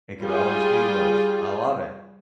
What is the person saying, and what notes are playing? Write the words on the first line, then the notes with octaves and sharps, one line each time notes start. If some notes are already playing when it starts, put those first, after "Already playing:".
It could always be worse, I love it.
G3 F4 G#4